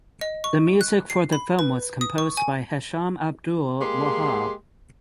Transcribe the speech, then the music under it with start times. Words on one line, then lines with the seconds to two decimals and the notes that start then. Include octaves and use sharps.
The music for the film was composed by Hesham Abdul Wahab.
0.21 D#5
0.44 C#6
0.81 F#6
1.10 C7
1.33 B5
1.59 B4
2.01 D#6
2.18 C#6
2.37 G#5
3.80 G#3 A#3 G4 G#4 C6